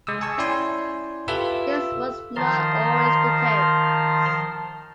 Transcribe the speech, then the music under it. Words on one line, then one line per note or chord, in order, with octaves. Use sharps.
This was not always the case.
G#3 D#6 E6
G#5 A5 C#6 E6
C#4 E4 D5 G5 G#5 C6
F4 G4 A4 B4 E5 E6
D#3 F3 A5 A#5 C6 F6